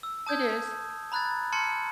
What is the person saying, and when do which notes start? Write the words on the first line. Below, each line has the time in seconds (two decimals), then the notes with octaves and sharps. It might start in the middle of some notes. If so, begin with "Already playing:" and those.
It is.
0.03 E6
0.26 A5 D#6 G6 G#6
1.12 A#5 B5 F#6 G#6 A6
1.52 A5 C6 F6 G#6 C#7